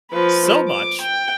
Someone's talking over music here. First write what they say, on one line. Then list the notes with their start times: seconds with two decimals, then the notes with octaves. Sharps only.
so much
0.12 F3 B4
0.69 D6
1.02 G5